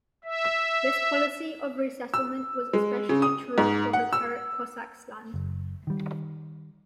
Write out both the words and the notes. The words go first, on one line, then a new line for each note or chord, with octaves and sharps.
This policy of resettlement was especially true for the Terek Cossacks land.
E5
E6
G#3
C#3
D#6
G#2
F#5
E6
F#1
D#3 G3